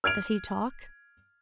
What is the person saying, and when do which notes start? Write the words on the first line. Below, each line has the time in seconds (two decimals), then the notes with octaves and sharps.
"Does he talk?"
0.04 F6 G#6 D7 F7